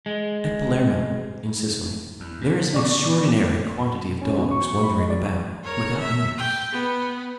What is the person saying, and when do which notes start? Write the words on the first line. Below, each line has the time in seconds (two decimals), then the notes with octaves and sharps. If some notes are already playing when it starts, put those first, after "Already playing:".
At Palermo, in Sicily, there is an extraordinary quantity of dogs wandering about without owners.
0.06 G#3
2.20 E2
2.41 A#2
2.74 A#2 F#3 B3 D5 C#6 D6
4.21 C#4
4.38 B2
4.51 C#6
4.69 C#6
4.84 B5
4.96 G#3
5.10 D5
5.64 A#4 C#5
5.99 E5
6.38 G5
6.72 B3